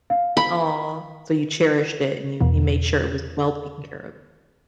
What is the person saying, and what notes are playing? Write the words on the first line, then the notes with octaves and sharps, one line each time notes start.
Aw, so, you cherished it, and you you made sure it was well taken care of.
F5
B5
E2 B2 E3